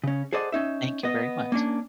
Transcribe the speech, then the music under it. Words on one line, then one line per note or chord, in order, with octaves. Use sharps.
Thank you very much.
C#3 C#4
G#4 A4 C5 D5 D#5 F#5
C#4 D#4 E5
B3 D#5
A#3 C#4 D4